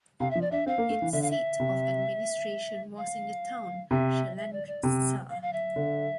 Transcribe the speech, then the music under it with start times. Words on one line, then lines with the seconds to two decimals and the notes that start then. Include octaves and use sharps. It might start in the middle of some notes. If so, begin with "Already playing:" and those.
Its seat of administration was in the town Chalandritsa.
0.20 C3 F5
0.31 F3 E5
0.41 D5
0.51 D4 E5
0.66 C4 F5
0.78 A#3
0.90 A3
1.02 E3
1.13 D3 E5
1.22 F5
1.31 E5
1.60 C3
2.97 F5
3.91 C3 E5
4.37 E5
4.53 D5
4.68 D5
4.83 C3
5.30 F5
5.42 F5
5.53 E5
5.76 D3